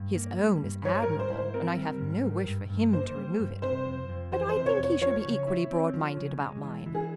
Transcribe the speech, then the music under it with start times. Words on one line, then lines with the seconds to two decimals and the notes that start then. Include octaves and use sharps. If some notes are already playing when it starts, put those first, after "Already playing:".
His own is admirable, and I have no wish for him to remove it, but I think he should be equally broad-minded about mine.
Already playing: G2
0.15 A#3
0.39 G3
0.62 G2
0.84 G3 C#5
1.02 G#2 A#4
1.19 C5
1.31 E4
1.37 C5
1.54 C4 A#4
1.77 G3
2.01 G#2
2.23 G3
2.46 G2
2.70 G2
2.93 A#3 C5
3.16 G3
3.39 G2
3.62 C3 C5
3.86 F2
4.09 F2
4.32 E3 C5
4.49 C5
4.55 C3
4.66 C#5
4.78 F2
4.84 C#5
5.02 F3 C#5
5.25 C#3
5.47 E4
5.71 C4
5.93 F3
6.17 C#3
6.39 G#3
6.63 E3
6.86 E3
6.95 G#4